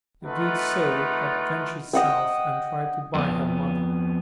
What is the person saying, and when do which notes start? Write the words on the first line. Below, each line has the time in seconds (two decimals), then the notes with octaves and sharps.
The good soul had ventured South and tried to buy her mother.
0.24 A3 D#4 F4 B4 F#5
1.93 D#5 F#5 G5
3.15 F2 B3